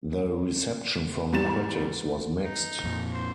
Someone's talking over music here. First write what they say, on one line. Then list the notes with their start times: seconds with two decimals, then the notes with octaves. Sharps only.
The reception from critics was mixed.
1.32 E2 G#2 G3 A6 E7
2.44 D#4
2.84 F2 A#2 F3
3.13 C5